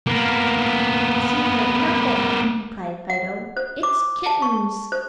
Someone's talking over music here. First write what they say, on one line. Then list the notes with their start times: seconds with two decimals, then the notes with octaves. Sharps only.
"Secret nothing," replied Fido, "It's kittens!"
0.07 A#3 B3
3.10 F#5
3.57 C5
3.83 D6
4.26 A5
4.42 C#6
4.92 C5